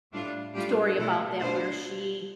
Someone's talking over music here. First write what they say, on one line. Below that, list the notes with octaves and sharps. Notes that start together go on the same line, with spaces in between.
story about that where she
A2 G3 D4 F4
A2 G3 D4 F4 G4
B2 A3 E4 A4
B2 B3 D4 F4 C5